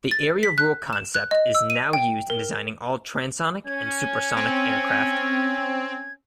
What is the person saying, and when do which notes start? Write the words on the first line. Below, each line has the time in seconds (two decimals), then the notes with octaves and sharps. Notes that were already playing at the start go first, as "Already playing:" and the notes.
The area rule concept is now used in designing all transonic and supersonic aircraft.
0.11 A6
0.43 B6
0.58 F#6
0.93 E7
1.14 F#6
1.31 D#5
1.55 E6
1.70 D#7
1.93 G5
2.30 A#4
3.66 C#4 G#6
4.37 C4